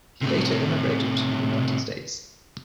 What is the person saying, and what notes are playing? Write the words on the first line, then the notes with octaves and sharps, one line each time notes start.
He later immigrated to the United States.
A2 C3